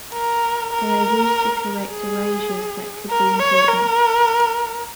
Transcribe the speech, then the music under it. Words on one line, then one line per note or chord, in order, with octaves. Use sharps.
They are used to correct erasures that could be important.
A#4
A#4
G#4
A#4
C#5
A#4